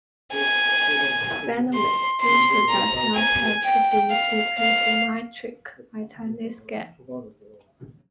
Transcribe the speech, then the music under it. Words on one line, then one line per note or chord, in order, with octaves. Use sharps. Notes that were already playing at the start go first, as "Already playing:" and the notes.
Finally, Nature does not have to be supersymmetric at any scale.
G#5
C6
C6
A#5
G#5
G5
F5
F5